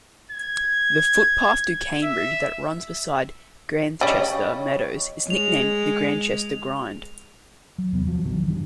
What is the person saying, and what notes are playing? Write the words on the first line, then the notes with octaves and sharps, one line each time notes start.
The footpath to Cambridge that runs beside Grantchester Meadows is nicknamed the Grantchester Grind.
G#6
E5
C#3 G3 C#5 D#5
G#3 F7
F#3
E2 C3 B3
F3 F#3
A#1 D3 F#3 B3
D#3
G2 E3